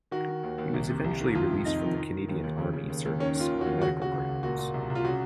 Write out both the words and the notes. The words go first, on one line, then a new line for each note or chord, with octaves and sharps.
He was eventually released from the Canadian army service on medical grounds.
D#3 F#4
D#3
D#2
D#2
C2
C3
C2
D#3
F2 F4
C3
F2 D#4
D#3
D#3
D#3
D#2
D#2
C#3
C#3
D#2
D#2
D#3 C#4
D#3 F4
D#2
F#4
D#2
C#3 F#4
C#3 F#4
C#2
C#2
A#2 F#4
A#2
C2
C2
F4
C#3 F#4